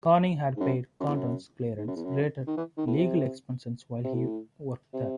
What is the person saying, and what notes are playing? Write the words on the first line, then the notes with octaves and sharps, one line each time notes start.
Corning had paid Condon's clearance-related legal expenses while he worked there.
G#2
F#2
F#2
E2
F#2
G#2
F#2
E2
F#2
D#3
E3
D#3
A2
C3
C3
A2
C3